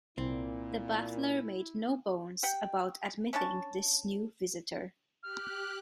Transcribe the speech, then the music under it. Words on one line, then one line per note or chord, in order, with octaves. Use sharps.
The butler made no bones about admitting this new visitor.
C2 A#2 C4 E4
G4 F#5 G5
C#4 D4 C#5 A5
G4 F6 F#6